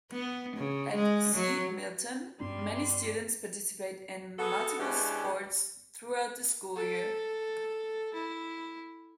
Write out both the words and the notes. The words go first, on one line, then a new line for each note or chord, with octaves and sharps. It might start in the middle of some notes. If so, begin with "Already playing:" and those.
At C. Milton, many students participate in multiple sports throughout the school year.
B3
C#3
G#3
F#3
G2 G3 B3 C#4 C6
B3 F#4 G#4 A4
B2 E3 G#3 C#4 D4 G4
A4
E4